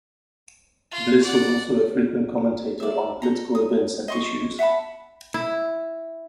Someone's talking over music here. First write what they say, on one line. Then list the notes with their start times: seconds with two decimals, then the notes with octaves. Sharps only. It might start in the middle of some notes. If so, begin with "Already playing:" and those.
Bliss was also a frequent commentator on political events and issues.
0.91 F4
1.22 D5 F#5
2.80 D5 E5
3.22 A4 A#5
3.55 D#6
4.08 D#5 C6 C#6
4.59 E5 F#5 A5 B5
5.34 E4